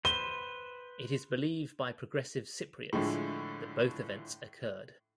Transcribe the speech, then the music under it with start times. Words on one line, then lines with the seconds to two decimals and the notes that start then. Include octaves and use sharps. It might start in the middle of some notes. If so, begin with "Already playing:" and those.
It is believed by progressive Cypriots that both events occurred.
0.05 B4 C5 G7
2.93 A2 D3 F3 G#3 A3